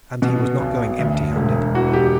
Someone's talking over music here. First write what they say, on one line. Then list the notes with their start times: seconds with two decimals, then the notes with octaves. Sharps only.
And he was not going empty-handed.
0.22 B2 F#4
0.60 B1
0.99 D2
1.36 E1
1.74 E3 F#4
1.93 G4